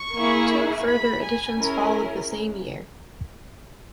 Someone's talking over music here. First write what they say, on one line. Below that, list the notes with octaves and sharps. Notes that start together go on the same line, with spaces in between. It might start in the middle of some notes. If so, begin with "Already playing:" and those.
Two further editions followed the same year.
Already playing: C#6
A#3 E4 G#4
B5
G#5
C#4 E4 G#4 A#4